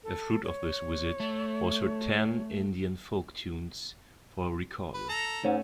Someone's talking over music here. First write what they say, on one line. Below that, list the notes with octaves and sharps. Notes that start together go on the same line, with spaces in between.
A fruit of this visit was her "Ten Indian Folk Tunes" for recorder.
A4
C#5
A3
B4
A4 A#5
G#2 A3 C#4 C#5 F#5